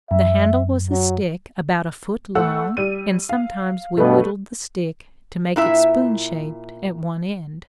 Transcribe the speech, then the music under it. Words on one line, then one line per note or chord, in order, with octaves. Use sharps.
The handle was a stick about a foot long and sometimes we whittled the stick to make it spoon-shaped at one end.
F#2 E5
F#3
A3 F#5 E6
G3 D#7
F5
G2 B2 A3 B4
A#2 E4 E5